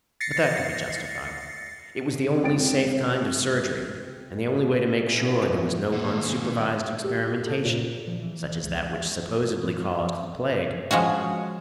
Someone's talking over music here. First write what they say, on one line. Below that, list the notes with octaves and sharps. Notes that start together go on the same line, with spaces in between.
But that could be justified; it was the only safe kind of surgery and the only way to make sure there was no unsupervised experimentation, such as that which supposedly caused the plague.
A6 A#6 C7 C#7
C#2 C4 G5 A6 D7
D3 E3
D#2 C3 B4
D#2 A#2
G4
A4
A#2
F3
E3
C#2
F3 G#3 C#4 F#4